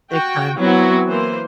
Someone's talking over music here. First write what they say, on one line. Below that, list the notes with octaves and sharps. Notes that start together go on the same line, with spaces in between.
Big time.
F#4 G5
F#3 B3 C4 E4 F#4
E3 A#3 C5